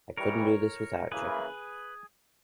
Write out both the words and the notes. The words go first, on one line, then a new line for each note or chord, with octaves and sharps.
I couldn't do this without you.
G#2 E3 G3 A#4 C#5
C#3 E3 A#3 E4 G#4 B4